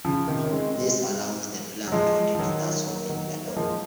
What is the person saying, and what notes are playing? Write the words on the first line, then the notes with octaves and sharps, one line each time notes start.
This allows the plug to rotate, thus opening the lock.
C#3 F3
C3 D#3
C#4
G#3 C4
G#3 C4
F#3
F3 G#3
F3
D#3 F#3
F#3 A#3
D#3 F#3
A#3
F3 G#3